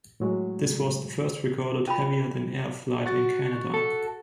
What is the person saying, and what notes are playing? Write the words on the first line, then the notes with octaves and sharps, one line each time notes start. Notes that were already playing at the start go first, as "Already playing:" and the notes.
This was the first recorded heavier-than-air flight in Canada.
A2 F#3 G#3
C#4 F4 B5
F#4 A6
A4